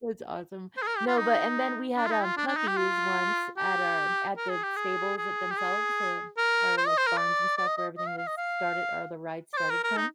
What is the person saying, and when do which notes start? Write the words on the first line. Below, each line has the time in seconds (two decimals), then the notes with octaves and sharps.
That's awesome. No, but and then we had, um, puppies once at our at the stables at themselves, uh, our, like, barns and stuff where everything was started or the ride started from.
0.77 C5
0.82 G#4
0.87 A#4
0.97 G4
1.07 F4
1.17 D#4
1.97 D4
2.06 F4
2.11 D#4
2.24 F4
2.37 D4
2.47 D4
2.57 D#4
2.67 G4
2.77 F4
3.57 G4
4.37 A#4
4.50 G#4
4.63 G4
4.76 G#4
5.17 G#4
5.50 G4
5.57 G#4
6.37 A#4
6.78 C5
6.87 D#5
6.98 C5
7.07 A#4
7.17 D5
7.58 D5
7.67 D#5
7.77 D#5
7.98 D#5
8.07 F5
8.17 F5
8.27 D#5
8.37 F5
9.53 D5
9.57 C5
9.70 A#4
9.84 A#4
9.97 D#4